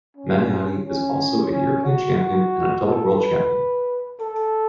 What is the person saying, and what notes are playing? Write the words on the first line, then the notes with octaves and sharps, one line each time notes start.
Maniani is also a European champion and double world champion.
C#4
C#4
C#4
F#4
F#4
A4
B4
A4